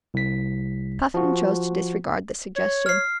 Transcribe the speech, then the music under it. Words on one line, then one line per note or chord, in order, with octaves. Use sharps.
Puffin chose to disregard this suggestion.
C2 B6
F3 F#4
C#5
F6 C7